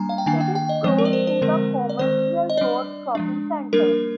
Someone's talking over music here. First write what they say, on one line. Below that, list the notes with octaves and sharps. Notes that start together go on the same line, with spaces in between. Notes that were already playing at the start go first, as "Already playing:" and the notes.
It is close to the Commercial Road shopping centre.
Already playing: G3 A#3 D4 G#5 A#5
F5
G5
D#3 A#3 D4 G#5
G5
G5
D#5
F3 G#3 C4 C5
A#4
D5
C5
C5
D3 G#3 C4 A#4
D5
D#3 G#3 C4 C5
D#5
G3 D4 D5
F3 G#3 D4
G3 A#3 D4 A#4